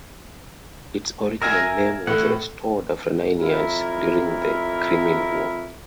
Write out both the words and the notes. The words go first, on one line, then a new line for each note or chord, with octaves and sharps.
Its original name was restored after nine years, during the Crimean War.
A#4 E5 G#5 F6 G#6 A#6
A2 F#5
F2 E4 A#4